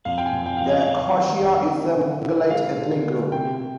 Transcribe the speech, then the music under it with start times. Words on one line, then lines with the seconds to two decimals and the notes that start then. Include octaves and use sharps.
The Khasia is a Mongolite ethnic group.
0.05 F2 F5
0.18 G5
0.26 G#5
0.32 F2
0.46 G5
0.57 F2 F5
0.66 D#5
0.87 F2
1.14 D#3
1.42 F2
1.69 C4
1.95 D3
2.23 D3
2.50 G#3 F5
2.78 D3
3.05 G#3
3.32 C3 G5
3.60 C3